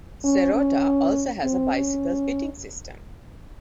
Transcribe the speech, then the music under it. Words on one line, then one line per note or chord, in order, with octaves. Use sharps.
Serotta also has a bicycle-fitting system.
C#4
C#4
C4
C#4